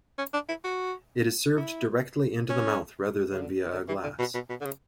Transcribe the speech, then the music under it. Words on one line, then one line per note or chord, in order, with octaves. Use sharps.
It is served directly into the mouth rather than via a glass.
C#4
D4
E4
F#4
E4
C#4
C#3
D3
D3
E3
D3
B2
B2
B2
D3
C#3